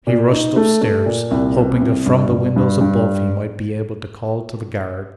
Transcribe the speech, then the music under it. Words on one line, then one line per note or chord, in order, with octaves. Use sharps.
He rushed upstairs, hoping that from the windows above he might be able to call to the guard.
A#2
D#4
A3
A3
A#2
C2
C4
C2
G2
G2
G2
G2